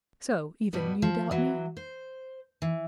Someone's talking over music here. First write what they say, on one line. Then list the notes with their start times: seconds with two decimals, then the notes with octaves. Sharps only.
"So, even you doubt me?"
0.73 G2 B2 G3 B3
1.02 F3
1.31 E3 F#3
1.77 C5
2.62 E3